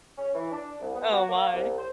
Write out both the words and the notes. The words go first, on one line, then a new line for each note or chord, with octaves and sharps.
Oh my.
C#4
E3
D4
C2
B3
F#4
A#3
C2
C5